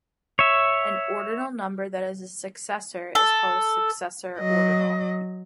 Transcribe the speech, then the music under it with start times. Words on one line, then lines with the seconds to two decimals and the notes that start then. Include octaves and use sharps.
An ordinal number that is a successor is called a successor ordinal.
0.39 C#5 E5
3.15 A4
4.39 F#3 D#5